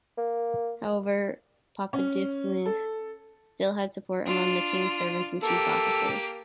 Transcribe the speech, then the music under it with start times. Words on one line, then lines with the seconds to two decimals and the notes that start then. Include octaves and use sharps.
However, Papahdilmah still had support among the king's servants and chief officers.
0.17 A#3
1.93 C#4
2.66 A4
4.26 D4 F4
5.42 A#3 G4 A4